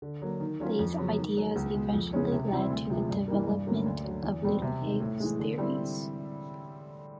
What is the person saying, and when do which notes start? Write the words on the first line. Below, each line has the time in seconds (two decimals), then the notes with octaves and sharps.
These ideas eventually led to the development of little Higgs theories.
0.02 D3
0.22 F#3 A#3
0.40 D#3
0.60 F#3 A3 C#4 F4
0.79 F2
0.99 C#3 F#3 B3
1.17 D#3
1.37 F#3 A3
1.56 C#2
1.74 B2 G#3
1.94 F2
2.13 C#3 E3 G#3 C#4
2.32 C3
2.52 E3 G3 C4 E4
2.70 D2
2.90 C3 F3 G#3
3.09 G2
3.28 E3 G3 A#3
3.47 G2
3.66 D3 F#3 A#3 C#4
3.85 D2
4.05 D3 F#3
4.23 E2
4.43 B2 G3 C4
4.62 C3
4.81 D#3 G3
5.00 A2
5.20 E3 G#3
5.38 D3
5.58 G3 C4 E4